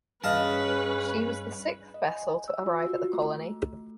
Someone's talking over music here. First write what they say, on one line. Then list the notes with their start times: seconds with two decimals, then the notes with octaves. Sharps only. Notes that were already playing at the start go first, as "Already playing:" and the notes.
She was the sixth vessel to arrive at the Colony.
0.24 G2 C#4 G#4 B4 D#5 F5 A5
1.94 D#5
2.09 G#5
2.48 E6
2.66 F4
2.86 F#4
3.13 A3